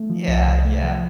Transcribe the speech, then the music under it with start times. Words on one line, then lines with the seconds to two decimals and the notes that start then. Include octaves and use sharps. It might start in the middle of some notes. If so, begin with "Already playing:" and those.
yeah, yeah.
Already playing: A3
0.10 F3
0.28 C2
0.47 C3
0.65 A3
0.83 F3